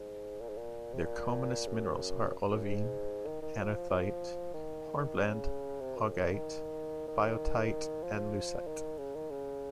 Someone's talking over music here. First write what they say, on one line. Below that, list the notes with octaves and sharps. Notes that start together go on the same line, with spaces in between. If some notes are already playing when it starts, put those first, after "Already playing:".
Their commonest minerals are olivine, anorthite, hornblende, augite, biotite and leucite.
Already playing: G#2
A#2
G#2
A#2
C3
A#2
F#2
F#2
G#2
D#3
D#3
F3
F3
D#3
C#3
C3
F#2
F2
A#2
D#3
D#3
F3
D#3
C#3
D#3
C#3